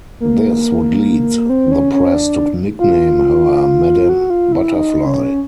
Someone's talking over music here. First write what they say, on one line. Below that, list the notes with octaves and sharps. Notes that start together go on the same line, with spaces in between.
This would lead the press to nickname her Madame Butterfly.
A#3
C4
C#4
C#4
D4
F4
F#4
F4
E4
D#4
C#4